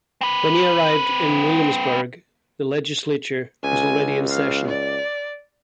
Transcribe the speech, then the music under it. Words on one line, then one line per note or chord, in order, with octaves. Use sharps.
When he arrived in Williamsburg, the legislature was already in session.
C4 B4
C#2 G#5
F5
D5